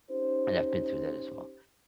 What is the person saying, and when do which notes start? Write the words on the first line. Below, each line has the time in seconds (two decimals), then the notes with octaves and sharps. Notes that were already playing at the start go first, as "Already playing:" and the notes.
and I've been through that as well,
0.11 C#4 D#4 G4 C5